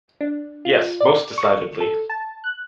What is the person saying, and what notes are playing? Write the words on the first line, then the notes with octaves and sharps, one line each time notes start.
Yes, most decidedly.
D4
F4
D5
C#6
A4
A5
F#6